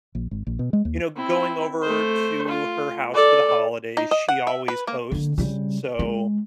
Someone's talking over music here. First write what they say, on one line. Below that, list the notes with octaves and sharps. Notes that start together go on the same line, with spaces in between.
you know, going over to her house for the holidays, she always hosts, so
A#1
G#1
A#1
B2
G#3
D#2
C4 E4
A3 C5
F4
A4 D5
D#4
D#5
F#5
E5
B4
A#3
D3 A#3
C#3 G3
G#3